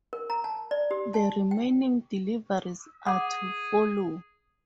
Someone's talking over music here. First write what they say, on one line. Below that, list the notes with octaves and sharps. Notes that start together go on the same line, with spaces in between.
The remaining deliveries are to follow.
A#4
A#5
A5
D5
G4
A5
G5
G#4 F#5 D6